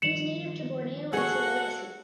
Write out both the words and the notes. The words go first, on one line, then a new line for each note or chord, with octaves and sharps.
It is native to Borneo and Sulawesi.
G2 D#3 F3 C#7 E7 F#7
F#4 G#4 A4 C#5 F#5